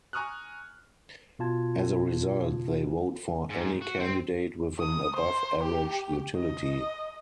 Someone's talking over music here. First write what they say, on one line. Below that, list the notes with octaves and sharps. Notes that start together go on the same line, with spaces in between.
As a result, they vote for any candidate with an above-average utility.
G#5 A#5 C#6 D#6 F6 F#6
B2 F4 A5 G#6
G#2
F#4
C4
D#6
C5
G4
D#5